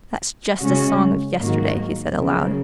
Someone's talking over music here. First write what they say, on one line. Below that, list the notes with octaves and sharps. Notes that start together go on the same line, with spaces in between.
"That's just a song of yesterday," he said aloud.
C#3 G#3 C#4 F#4
G#2 D#3 F#3 A#3 F#4
C#3 F#3 A#3